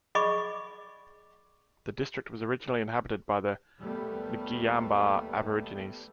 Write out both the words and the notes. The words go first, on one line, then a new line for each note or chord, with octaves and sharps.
The district was originally inhabited by the Ngiyambaa Aborigines.
G#4 D5 D#5 B5 C#6 D6
D#2 G3 A3 B3